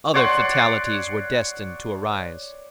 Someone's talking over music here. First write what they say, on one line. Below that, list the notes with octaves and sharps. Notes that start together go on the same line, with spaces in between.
Other fatalities were destined to arise.
C#5 D5 F#5 C6